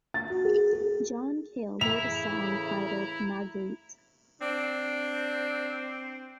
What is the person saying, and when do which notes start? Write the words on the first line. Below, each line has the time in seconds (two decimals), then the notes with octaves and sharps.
John Cale wrote a song titled "Magritte".
0.14 A6
0.30 F#4
0.45 G#4
0.73 G#4
1.81 A2 C#3 E3 E4 E5 A#5 F7
4.41 C4 D4